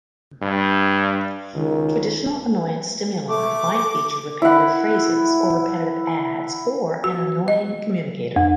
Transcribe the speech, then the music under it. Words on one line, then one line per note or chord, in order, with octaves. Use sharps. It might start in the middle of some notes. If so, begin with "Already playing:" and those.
Traditional annoyance stimuli might feature repetitive phrases or repetitive ads or an annoying communicator.
G2
C#2 D#3
A3 D6
E4 F#5
F#4
D#5
F2